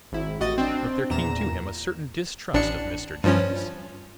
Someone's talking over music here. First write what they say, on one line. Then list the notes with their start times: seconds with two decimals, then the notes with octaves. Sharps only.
But there came to him a certain distrust of Mr. Jenks.
0.12 G#1 E4
0.40 A1 F#4 D#5 A6
0.58 C4 D4
1.10 E2 A#2 A#5 E7
2.53 A1 D4 C#7
3.24 G2 F3 C#4